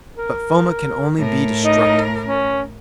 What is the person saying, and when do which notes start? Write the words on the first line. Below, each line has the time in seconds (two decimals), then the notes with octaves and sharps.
But Foma can only be destructive.
0.18 A#4
1.18 A2 A#4
1.64 D#4
2.26 C#4